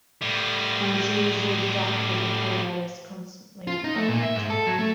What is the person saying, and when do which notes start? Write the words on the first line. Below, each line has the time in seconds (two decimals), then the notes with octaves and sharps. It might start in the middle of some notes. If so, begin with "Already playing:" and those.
Points are usually deducted if a rider is constantly off balance.
0.22 A2 G3
3.67 F4
3.84 D#4
3.96 A3
4.08 A#2
4.23 E5
4.35 G#2
4.50 A4
4.67 F#3
4.79 A3